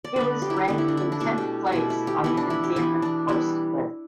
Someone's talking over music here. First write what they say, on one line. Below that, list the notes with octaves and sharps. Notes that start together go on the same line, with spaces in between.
He was ranked in tenth place on the New Zealand First list.
D5
D3 B3 B4
G4
E4
G4
D3 B3 G4
E4
D4
E4
D4
B2 A3 E4
G4
G4
B2 A3 E4
E4
G4
E3 B3 E4
D4
E4
G4
E3 B3 E4
D4
E3 G3 B3 E4